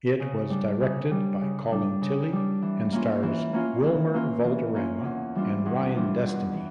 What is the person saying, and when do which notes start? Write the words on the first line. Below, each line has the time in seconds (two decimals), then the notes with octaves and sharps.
It was directed by Colin Tilley and stars Wilmer Valderrama and Ryan Destiny.
0.20 C#3
0.50 G3 D4
0.81 C#3
1.11 G3 D4
1.41 C#3
1.71 G3 D4
2.02 C#3
2.32 G3 D4
2.62 E3
2.92 A#3 C#4 F4
3.23 E3
3.53 A#3 C#4 F4
3.84 E3
4.14 A#3 C#4 F4
4.44 E3
4.74 A#3 C#4 F4
5.05 E2
5.35 E3 G3 D4 F4
5.66 E2
5.96 E3 G3 D4 F4
6.26 E2
6.54 E3